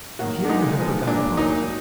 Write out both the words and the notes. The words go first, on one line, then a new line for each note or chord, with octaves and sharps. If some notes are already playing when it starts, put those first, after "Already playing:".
And here you have begun upon it.
D#3 F#3 A#3 F#4
D4
A#2 G#3 B3 D#4
A#2 F3 G#3 B3
A#2 F#3 A#3 D4
A#2 F#3 A#3 D#4